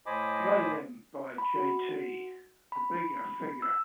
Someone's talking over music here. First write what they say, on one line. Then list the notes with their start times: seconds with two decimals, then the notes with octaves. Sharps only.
Play them by Jt The Bigga Figga.
0.06 A2 C5 D#5 G#5 B5 D6
1.38 B5
1.56 F#4
2.72 B5
3.62 E6